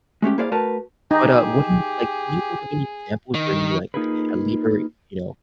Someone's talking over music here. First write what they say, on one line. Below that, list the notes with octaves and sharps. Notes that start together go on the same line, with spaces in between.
But, uh, what do you, like, can you think of any examples where you like like a leader, you know,
G#3 A3 C#4 G4
A#3 E4 G#4 C5 D5 F5
A3 F#4 A#4 B4 A5
D#4 G4 G#4
D#3
A#3 D#4 F4 G#4 A#4 B4